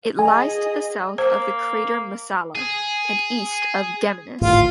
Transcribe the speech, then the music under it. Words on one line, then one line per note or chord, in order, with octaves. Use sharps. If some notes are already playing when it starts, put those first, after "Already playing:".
It lies to the south of the crater Messala, and east of Geminus.
G#4 D#5 G#5
A#3 C5
G#4
D1 G#1 A2 F4